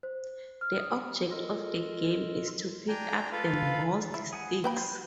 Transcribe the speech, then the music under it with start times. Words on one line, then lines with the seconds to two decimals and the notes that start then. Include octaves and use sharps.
The object of the game is to pick up the most sticks.
0.03 C5
0.61 F6
0.78 D#6
1.31 F4 A4 A#4 D#5
2.88 D4 G5 G#5 A#5
3.32 F4 A4 B4 F5
4.14 E4
4.33 G#4 F#5 G#5
4.64 A#3 B4 G5 B5
4.77 G3 C5
4.91 F#4